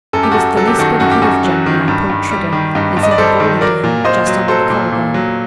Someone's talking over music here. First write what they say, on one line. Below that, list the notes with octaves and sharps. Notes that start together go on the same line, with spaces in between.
He was the least bit ahead of Jim, when I pulled trigger, and sent a ball into him, just under the collar-bone.
F#2 A4
G4
F#4 A4
F#2
F#3 A4
G4
D#3 F#4 A4
F#2 F#4
G4
F#2 F#4
F#3
D#3
G2
G2
G3
D#3
G2 D#4
G2
D#5
D5
G3 A4 C5
D#3
F#3 A#4 D5
A#2
A#2 C5 D#5
F#3
F#3 A4 C5
A#2
A#2
F#3